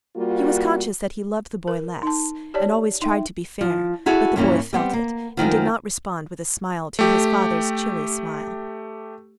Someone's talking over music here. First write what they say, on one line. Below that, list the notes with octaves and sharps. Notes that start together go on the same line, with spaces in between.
He was conscious that he loved the boy less, and always tried to be fair; but the boy felt it, and did not respond with a smile to his father's chilly smile.
G3 A#3 F4 F#4
A#4
D#4 A5
G4 C#5 D5 A5
D#4 E5 G5
F3
E4 F#4 G#4 A4 E5 F5
G2 B2 E3 A#3 B3 C#4
G3 B3 C4
A#3
F#2 A2 D#3 F3
A3 G4